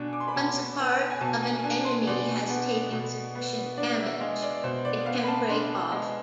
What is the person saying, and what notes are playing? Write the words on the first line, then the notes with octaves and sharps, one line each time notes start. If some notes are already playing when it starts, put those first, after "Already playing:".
Once a part of an enemy has taken sufficient damage, it can break off.
Already playing: B2 D4 G#5
D6
C6
B5
B2 A5
B3
G#5
B2 A5
G#5
D4 G#5
C6
B2 D5
B3
B2
B3
D4 D5
E5
G#3 F5
D5
B2 C5
D5
B3 F5
B5
A5
D4 C6
G#3